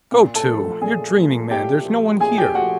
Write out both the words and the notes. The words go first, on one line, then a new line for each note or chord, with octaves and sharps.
'Go to!--you're dreaming, man!--there's no one here.'
A#2
A4 A5
F3 A3
A#2 G#4 G#5
F3 A3
A#2 G4 G5
F3 A3
A#2 G#4 G#5
G4 G5
F3 A3 F#4 F#5